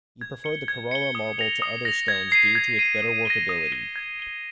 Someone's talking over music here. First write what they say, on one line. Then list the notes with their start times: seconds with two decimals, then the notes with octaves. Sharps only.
He preferred the Carrara marble to other stones due to its better workability.
0.21 G#6
0.44 C#7 G7
0.68 G#6
0.91 C#7 G7
1.15 D#6
1.39 A#6 F7
1.62 D#6
1.85 A#6 F7
2.08 G#6
2.32 C7 D#7
2.55 G#6
2.79 C7 D#7
3.02 D#6
3.25 A#6 D#7 G7
3.49 D#6
3.72 A#6 D#7 G7
3.96 G#6
4.20 D#7 G7